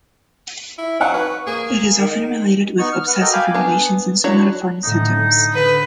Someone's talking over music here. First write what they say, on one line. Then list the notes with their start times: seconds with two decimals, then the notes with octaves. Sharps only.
It is often related with obsessive ruminations and somatoform symptoms.
0.78 E4
1.00 F#3 D#4 F5 F#5
1.14 B4 C#6
1.47 A#3 G#4 D#7
1.99 D#3
2.79 B3 D#4 C#6
2.92 F6
3.07 B4 F#5
3.21 F#4 A4 A#4 D#5 G5
3.33 F5 G5 G#5 B5 D6
3.54 B3 D4 G#5
4.24 F#3 D4 E4 F#4 C#5
4.84 A2 D3 D#4
5.53 D3 B4